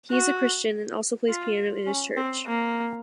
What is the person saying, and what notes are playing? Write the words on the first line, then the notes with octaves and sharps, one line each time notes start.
He is a Christian and also plays piano in his church.
F#4
F4
C#4
C4
A#3